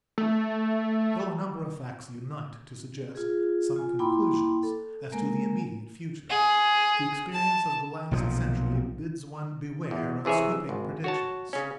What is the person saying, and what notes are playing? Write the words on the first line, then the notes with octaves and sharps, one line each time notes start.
Though a number of facts unite to suggest some conclusions as to the immediate future, the experience of the last century bids one beware of sweeping predictions.
A3
F4 G#4
F4 G#5
A#3 E4 G5 B5 C6 D6
A4
G#3 A#3 A#4 G#5
G#4
A5
B1 A#2 F3
E2
C3 E3 G#4 C#5 E5
G#1
F#4 C#5 A5
C#3 C#4